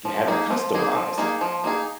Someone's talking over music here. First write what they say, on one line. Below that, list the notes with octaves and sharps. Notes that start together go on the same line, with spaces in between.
ge have it customized.
F3
A#3 D#4 G#4
F3
A#3 D#4 G#4
F3
A#3 D#4 G#4
F3
A#3 D#4 G#4